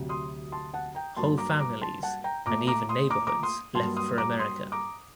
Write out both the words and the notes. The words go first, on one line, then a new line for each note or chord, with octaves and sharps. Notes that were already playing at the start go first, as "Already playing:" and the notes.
Whole families and even neighborhoods left for America.
Already playing: D2 C3 F#3
C6 D#6
A5 C6
F#5 A5
G5 A#5
G2 F#3 A#3 A5 C6
A#5 D6
A#5 D6
A5 C6
F#5 A5
G5 A#5
A#2 A3 A#5 D6
A#5 D6
C6 D#6
A#5 D6
A#5 D6
C6 D#6
G2 F#3 A#3 A5 C6
C6 D#6
A#5 D6
C6 D#6
A#5 D6